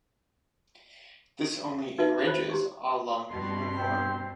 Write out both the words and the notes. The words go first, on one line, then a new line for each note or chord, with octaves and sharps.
This only enrages Ah Lung even more.
D#4 F#4 B4 E5
C5 A#5 B5
G4 A#5 C6
G2 B2 C6
C4